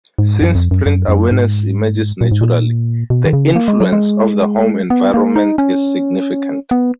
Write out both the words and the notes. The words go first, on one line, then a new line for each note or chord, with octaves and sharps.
Since print awareness emerges naturally, the influence of the home environment is significant.
G#2
F#2
F2
F#2
F#2
F#2
G#2
A#2
G#2
A#2
B2
D#3
C#3
A#3
G#3
F#3
G#3
B3
A#3
D#4
C#4
B3